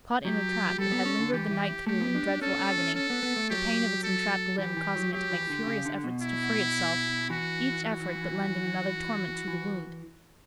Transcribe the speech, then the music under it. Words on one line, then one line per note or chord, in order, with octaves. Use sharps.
Caught in a trap, it had lingered the night through in dreadful agony, the pain of its entrapped limb causing it to make furious efforts to free itself, each effort but lending another torment to the wound.
F#3 G4
G3 A4
B3
C#4
D3
E3 G4
E3
A3 G4
B3
D4
D4
C#4 A4
C#4
C#4
C#4 A4
B3
B3
A3
F#3 G4
A4
E3 G4
E3
F#3
F#3 G4
E3
D3
C#3
D3
B2
E4
E3 F#4
F#4
E3